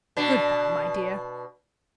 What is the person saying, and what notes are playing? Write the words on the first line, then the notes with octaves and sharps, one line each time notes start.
Good-by, my dear.
B2 D4